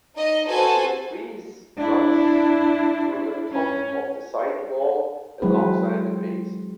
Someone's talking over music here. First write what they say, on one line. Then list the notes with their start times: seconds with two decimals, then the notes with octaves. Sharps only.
A frieze runs through the top of the side wall alongside the base.
0.15 D#4 D#5
0.48 F#4 A4 B4 C5 G#5 A5
1.77 D4 E4
3.52 C#4
5.42 E3 F#3 G#3 C4 B4